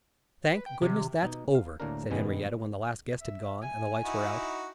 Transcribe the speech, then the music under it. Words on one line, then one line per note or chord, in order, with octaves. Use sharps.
"Thank goodness, that's over," said Henriette when the last guest had gone and the lights were out.
B4
G5
C3 D#3 C4
B2 D#4
F5
D2 A2 A#3 D4 A#4
F#2 B2 D#3 G3 G#3 B3
E5
G#5
D#4 E4 F#4